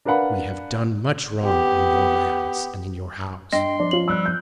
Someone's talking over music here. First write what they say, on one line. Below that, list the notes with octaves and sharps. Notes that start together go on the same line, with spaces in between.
We have done much wrong on your lands and in your house.
D4 A#4 B4 F5 F#5 B5
B3 G4
G2 D#5 G5 C6
F3 D4
C#4 F4 F#7
G3 E6 F#6
G6